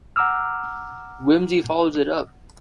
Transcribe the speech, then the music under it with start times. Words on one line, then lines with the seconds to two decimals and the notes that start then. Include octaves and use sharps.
Wimsey follows it up.
0.16 F#5 A#5 D6 E6 F6